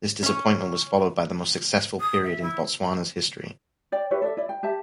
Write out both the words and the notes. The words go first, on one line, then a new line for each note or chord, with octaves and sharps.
This disappointment was followed by the most successful period in Botswana's history.
C#4 C#5
D#6
E5
E4
C#5 D5 G5
E4 G4 B4 C#5
A4 D5 E5
E4 D5
G5
G4 E5 A5